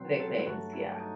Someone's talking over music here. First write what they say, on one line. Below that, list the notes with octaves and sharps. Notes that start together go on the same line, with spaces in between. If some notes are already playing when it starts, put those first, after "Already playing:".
Nicknames, yeah.
Already playing: B2 F#3 C4
A4
E4
G2 F#3 A3 F#4
E4
D#4